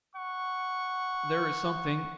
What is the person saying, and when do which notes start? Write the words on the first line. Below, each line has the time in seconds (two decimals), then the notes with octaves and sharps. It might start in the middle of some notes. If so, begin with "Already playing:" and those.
There is something....
0.16 F#5 C#6